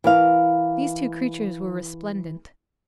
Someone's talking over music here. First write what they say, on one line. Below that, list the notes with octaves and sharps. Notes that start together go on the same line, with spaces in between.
These two creatures were resplendent.
E3 A#4 F5